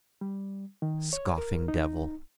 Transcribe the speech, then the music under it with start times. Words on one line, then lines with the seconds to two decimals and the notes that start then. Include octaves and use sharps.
Scoffing devil!
0.21 G3
0.82 D#3
1.13 C#5
1.38 A#4
1.68 D#4